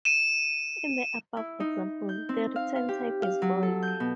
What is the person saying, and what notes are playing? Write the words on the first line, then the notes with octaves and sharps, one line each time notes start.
In the above example, the return type is "void".
D#7 E7
E4
D#4
G6
C4
F5
F5
G4
F5
F#3
A4
G6
B2